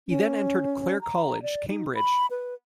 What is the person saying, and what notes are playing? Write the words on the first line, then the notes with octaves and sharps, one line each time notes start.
He then entered Clare College, Cambridge.
C#4
A#5
D5
D#4
B5
B4